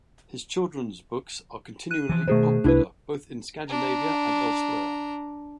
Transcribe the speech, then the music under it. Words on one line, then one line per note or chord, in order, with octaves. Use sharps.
His children's books are continually popular, both in Scandinavia and elsewhere.
F#6 D#7
E3 F3
B2 D#3 A3 G#4 C5
C2 D4 E4 B4
D4 A#5